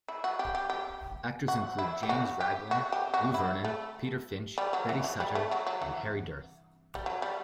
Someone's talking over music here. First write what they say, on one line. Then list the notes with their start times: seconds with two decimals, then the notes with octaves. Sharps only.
Actors included James Raglan, Lou Vernon, Peter Finch, Betty Suttor and Harry Dearth.
0.08 E4
0.24 F#4
0.39 G4
0.55 G4
0.70 G4
1.48 F#4
1.78 E4
2.03 G4
2.09 F#4
2.40 G4
2.71 F#4
2.92 G4
3.14 F#4
3.34 E4
3.64 A3
4.58 G3
4.73 F#3
4.89 E3
5.04 F#3
5.20 G3
5.35 A3
5.51 F#3
5.67 F#3
5.82 E3
6.95 G3
7.06 F#3
7.22 G3